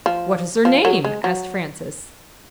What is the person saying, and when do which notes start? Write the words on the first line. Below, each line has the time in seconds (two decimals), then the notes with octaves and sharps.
"What is her name?" asked Francis.
0.06 F3
0.65 F3
0.85 F#3
1.05 G#3
1.24 F#3